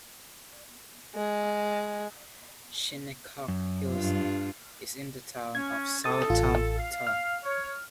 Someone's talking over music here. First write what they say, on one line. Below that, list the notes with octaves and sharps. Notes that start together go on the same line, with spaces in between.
Shinnecock Hills is in the Town of Southampton.
G#3
F#2
G2 F4
C#4 G#6
A4 D#6 A6
A1 F4
F5
F6
C#5